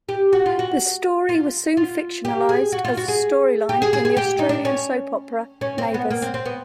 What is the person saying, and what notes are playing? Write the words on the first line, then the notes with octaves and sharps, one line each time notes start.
The story was soon fictionalized as a storyline in the Australian soap opera "Neighbours".
G4
F#4
F4
F#4
F4
F4
G4
G#4
F#4
F4
F#4
G#4
G4
G#4
G#4
G#4
G4
D#4
D4
C#4
C#4
C4
B3
A#3
C4
C4
B3